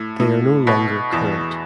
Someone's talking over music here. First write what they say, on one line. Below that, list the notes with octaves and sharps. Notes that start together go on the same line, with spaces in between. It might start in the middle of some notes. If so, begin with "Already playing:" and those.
They are no longer current.
Already playing: A2
A2
B2
E2